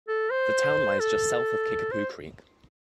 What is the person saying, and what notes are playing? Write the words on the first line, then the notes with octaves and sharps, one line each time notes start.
The town lies just south of Kickapoo Creek.
A4
C5
A4
C5